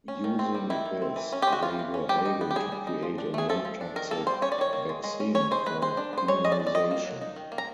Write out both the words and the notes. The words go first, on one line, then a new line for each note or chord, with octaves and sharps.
Using this, they were able to create a non-toxic vaccine for immunization.
C#4
D#3
C4
G3
D#3 E4
D#3
C4
E3
C#4
G#3 G4
F#4
E3 F4
E3
C#4
G3 G4
D#4
B3
G4
G3 G#4
G3
D#4
F3
D4
A3 G#4
F3 A4
F3
D4
D#3 A#4
A#3 A4
G3 C5
C#4 C#5
D5
D#3 C#5
A#3
G#3
G#3
C#4
C#4 C#5
G#3 C5
G#3 B4
G#3 C5
D4
B3 C5
G#3 C#5
G#3 D#5
D5
D4
D5
D#3 D#5
A#3
F#3
D#4
D#3
A#3
A#5